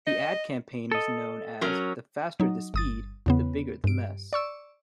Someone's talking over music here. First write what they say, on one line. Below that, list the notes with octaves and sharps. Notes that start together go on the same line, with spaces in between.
The ad campaign is known as The Faster the Speed, the Bigger the Mess.
D#5
A4 D#5
F#3 C#4 A#4
F#3 D#4
G1 D#6 A6
E2 C#3 B3
G2 D7
D5 C#6 E6